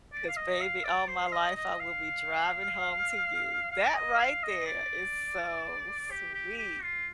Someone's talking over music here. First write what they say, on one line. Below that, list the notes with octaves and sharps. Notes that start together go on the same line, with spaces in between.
’cause, baby, all my life, I will be driving home to you." That right there is so sweet.
D5
F5
D#5
F5
D5
C5
F5
D#5
D#5
F5
F5
D5
D#5
F5
D#5
D5
G4
G4
G4
F4